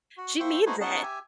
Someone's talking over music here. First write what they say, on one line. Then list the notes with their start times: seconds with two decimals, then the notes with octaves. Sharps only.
she needs it."
0.17 F#4
0.40 A#3 C5 E5 G5 C#6
0.66 A3 D#4 F#4 B4 C5 G#5
0.81 B3 C#4 D#4 G#4 F#5 A5
1.03 G4 E5 G#5